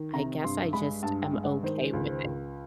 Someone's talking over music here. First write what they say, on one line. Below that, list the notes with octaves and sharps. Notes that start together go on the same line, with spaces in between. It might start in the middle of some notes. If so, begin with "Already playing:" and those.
I guess I just am okay with
Already playing: D#3
C3 A#5
G2 C6
G#3 B5
G2 A5
G5
G#3
F#5
D#3 C5
C#2
C#2